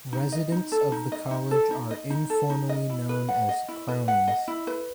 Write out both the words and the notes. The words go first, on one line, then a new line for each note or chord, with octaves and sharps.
Residents of the college are informally known as Crownies.
D#4
D#5
D#4
A4
D#4
D#5
D#4
A4
D#4
D#5
D#4
A4
D#4
D#5
E4
B4
F#5
D#5
E4
B4
F#5
D#5
E4
B4